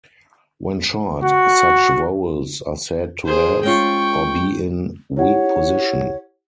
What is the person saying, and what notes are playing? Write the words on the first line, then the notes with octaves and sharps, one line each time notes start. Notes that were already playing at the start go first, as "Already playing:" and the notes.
When short, such vowels are said to have, or be in, weak position.
F#4
G#4 C5
G#3 C#4 F4 G5 C#6
E4 G4 C#5 F#5